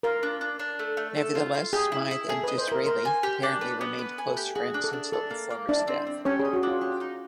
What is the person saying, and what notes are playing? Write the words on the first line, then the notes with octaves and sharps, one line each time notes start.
Nevertheless, Smythe and Disraeli apparently remained close friends until the former's death.
F4 A#4
D4
D4
D4
A3
A3
A4
F4
F4
G4 G#4
E4
E4
G#4 A4
B4
D#5
C5
E4 A#4
A#4 C5
G#5
G4
D4
B4
B3
B4
G#5
A4
G4
F#4 G#4
D4
A4
D4
D4 A4
A#3
A#3
D4 E4 D5
C4
C4
C#4 G4 C#5
G#4
D#5
F#4
D4 F4
F4 G4
D#4